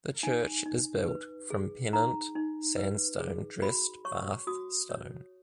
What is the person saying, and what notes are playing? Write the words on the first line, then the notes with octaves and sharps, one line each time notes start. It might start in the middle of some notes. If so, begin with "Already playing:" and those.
The church is built from Pennant sandstone dressed Bath stone.
D#4 G#5
D#4
B4
G#4
D#4 A#5
D#4
B4
G#4
F#4 B5
C#5 C#6
F#4 D#6
C#5